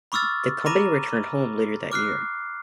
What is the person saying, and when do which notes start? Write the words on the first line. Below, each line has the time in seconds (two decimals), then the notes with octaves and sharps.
The Company returned home later that year.
0.12 B5 C#6 D6 E6 F6 A6
0.66 A#5 B5 D6 A#6 D#7
1.92 D6 F6 F#6 C7